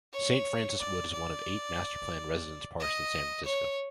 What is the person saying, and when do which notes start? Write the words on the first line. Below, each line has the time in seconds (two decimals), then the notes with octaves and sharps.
Saint Francis Wood is one of eight master-planned residence parks in San Francisco.
0.13 C#5
0.79 D5
1.13 D5
2.79 D#5
3.45 C#5